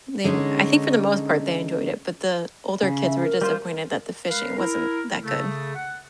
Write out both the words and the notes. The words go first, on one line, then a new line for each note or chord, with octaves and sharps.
then I think for the most part, they enjoyed it, but the older kids were disappointed that the fishing wasn't that good.
D3 G#3 C#4 D#4
C#3
E5
A#4
G3 F4 C5
G#3 A#4 B4 F5
E4 A#4
C#3 A3
F#5